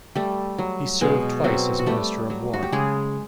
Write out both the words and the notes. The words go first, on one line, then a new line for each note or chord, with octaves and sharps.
He served twice as minister of war.
G3 A3 G4
F#3
B2 G#3 G#4
F#3 C4 F#4
F#4
G3 A3 G4
F#3
F#4
G4
C#3 G#3 G#4